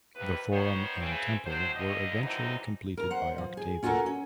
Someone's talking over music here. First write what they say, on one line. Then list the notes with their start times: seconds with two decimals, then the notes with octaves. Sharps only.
The Forum and Temple were eventually completed by Octavian.
0.15 D#2 C3 B4
0.52 D#3 B3 C5 C#5
0.99 C#3 E3 C4
1.45 C3 F#3 D4 C5
1.74 D#2 D3 D#5
2.23 D3 E3 F#3 C4 D#4
2.97 A#4 A#5
3.10 C5 F#5
3.38 F3
3.57 G#4
3.83 C#4 F4 F#4 A4 A#4 F#5
4.06 C#4